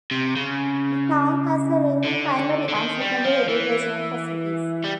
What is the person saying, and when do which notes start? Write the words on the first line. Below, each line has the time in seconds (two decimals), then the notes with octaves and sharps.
The town has a range of primary and secondary educational facilities.
0.11 C3
0.36 C#3
2.04 D3
2.69 D3
2.75 D#3
3.01 G3
3.24 F3
3.49 E3
4.84 G3